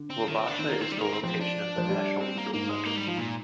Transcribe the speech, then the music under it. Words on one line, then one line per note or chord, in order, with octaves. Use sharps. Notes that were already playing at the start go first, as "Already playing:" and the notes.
Wabasha is the location of the National Eagle Center.
Already playing: D3
C4
D#3
C4
D4
D#3 C4
A#3
C4
G3
G#3
A#3
C4
F3 C4
D4
F3
G3
C4
A#3
G#2 A#3
G#3
A#3
G3
F3
A#2